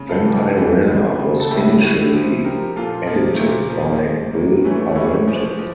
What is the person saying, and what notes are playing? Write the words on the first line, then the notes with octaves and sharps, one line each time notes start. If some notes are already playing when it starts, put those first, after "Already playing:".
"Vampirella" was initially edited by Bill Parente.
Already playing: C#3
F4 A4
E3
E3
C#3
C#3
A4
A2 E4 G4
A2
F3
F3 G4 A#4
A#2 F4 A4
F3 A#3
A3
A#2 A#3
F3
F3
A2 A#3
E3 A3 C#4
E3 C#4 E4
F3
F3